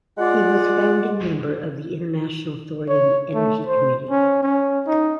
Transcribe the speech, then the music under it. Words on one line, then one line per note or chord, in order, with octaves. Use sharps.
He was founding member of the International Thorium Energy Committee.
G#3 F4 D5 F#5
C#5
A3
C5
C#4
C#4
D#4